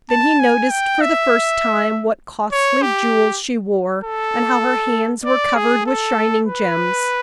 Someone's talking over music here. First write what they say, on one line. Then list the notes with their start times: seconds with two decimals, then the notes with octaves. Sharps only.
Then he noticed for the first time what costly jewels she wore, and how her hands were covered with shining gems.
0.10 A5
0.40 G#5
0.70 G5
1.01 E5
2.52 C#5
2.82 G4
4.04 A4
5.25 D5
5.55 G#4
5.86 A4
6.46 B4